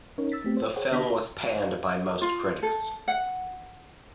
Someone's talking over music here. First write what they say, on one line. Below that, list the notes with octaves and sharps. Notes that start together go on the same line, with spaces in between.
The film was panned by most critics.
C#4 D#4 A#4 C#5
E6 A6 B6
A3 B3 C4 G4
C5
G#4 C5 C#5 F#5 G5
D3 B3 D4 G4 A#6 B6
F4
A4
F#5